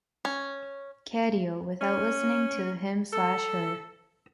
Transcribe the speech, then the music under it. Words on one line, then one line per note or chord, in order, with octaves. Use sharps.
Cadio, without listening to him/her.
C#4
C#4
A4